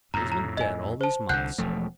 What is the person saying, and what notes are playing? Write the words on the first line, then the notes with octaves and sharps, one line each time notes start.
She has been dead all these months.
F2 A2 A#5
A#5
D#5 G#5
C5 A5
C2 D3 F#5 F#6 G6
E1 F3 A3